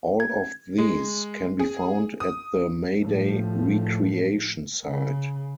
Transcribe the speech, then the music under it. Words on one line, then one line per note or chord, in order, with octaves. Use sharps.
All of these can be found at the Mayday recreation site.
G#6
G#3
G#4
D#6
A2 F3
C#3